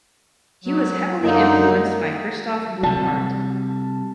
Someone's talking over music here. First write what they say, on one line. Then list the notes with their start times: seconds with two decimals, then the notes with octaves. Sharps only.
He was heavily influenced by Christoph Blumhardt.
0.64 F#3
1.23 F#2 D3 A#3 D#4
2.83 C3 G3 A5